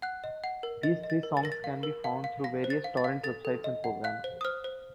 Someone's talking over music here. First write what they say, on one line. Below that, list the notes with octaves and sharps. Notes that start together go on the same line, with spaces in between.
These three songs can be found through various Torrent websites and programs.
F#5 F#6
D#5
F#5
A#4
D#5 A6
D#5
A6
A#4
A6
A#4 A#6
A6
F5
A#4
F5
F5
F5 A#6
C5
A6
F5
A6
F5
A4 A6
A4
D#5
F#5
F5 F#6
C5
D#6
C5 F6
C5